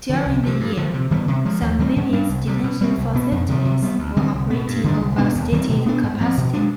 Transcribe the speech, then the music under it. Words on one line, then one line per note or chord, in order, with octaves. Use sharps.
During the year, some women's detention facilities were operating over stated capacity.
D3 F3
C2
C3 F3
G2
D3 F3
C3
D#3 G3 B3
C3
F3 G#3
D#2
D#3 G3 C4
G#2
G3 D4
C2
C3 G3
B2
G3 C4
C2
B2 B3
F2
C3 D#3 G3
C3
G3 B3
D2
D3 G3 C4
C2
B2 B3
G2
D3 G3 D4
C2
B2 B3 D4
D#2
D#3 G3 C4
B2
B3 D4
G#2
F3 C4
B2
G#3 D4